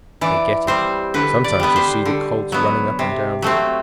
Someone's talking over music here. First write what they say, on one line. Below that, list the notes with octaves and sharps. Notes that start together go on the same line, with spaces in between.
They get it. Sometimes you'll see the colts running up and down.
E3 D5
G3 C4 C5
D3 B4
D5
G3 B3 B4
C5
D3
F#3 B3
C3
F#3 A3 C4